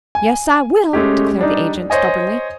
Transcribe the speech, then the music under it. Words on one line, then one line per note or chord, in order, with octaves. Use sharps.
"Yes, I will," declared the agent, stubbornly.
G#5
G#3 A3 C#4 G4
G3 D4 D#4
C5 C#5 D#5 G#5